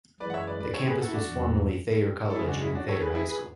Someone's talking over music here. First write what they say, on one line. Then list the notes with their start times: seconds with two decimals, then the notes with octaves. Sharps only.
The campus was formerly Thayer College and Thayer High School.
0.20 F#2 E3 G#3 B4 D5
0.30 F#5
0.34 C#5 E5
0.47 B4 D5
0.60 B4 D5
0.74 A4 C#5
0.87 G#4 B4
1.01 F#4 A4
1.08 E4
1.14 D4 F#4
1.27 E2 B2 F#3
2.30 A4
2.35 F#2 C#3 G#3 C#4 E4 G#4
2.48 D4 F#4
2.61 E4 G#4
2.75 D4 F#4
2.88 A4 C#5
3.02 G#4 B4
3.15 E4 G#4
3.28 G#4 B4